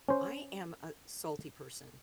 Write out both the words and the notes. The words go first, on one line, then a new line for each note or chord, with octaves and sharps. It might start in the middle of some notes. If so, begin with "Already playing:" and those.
I am a salty person,
C#4 C5